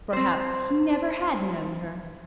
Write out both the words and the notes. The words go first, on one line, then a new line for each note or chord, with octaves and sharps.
Perhaps he never had known her.
C4 C5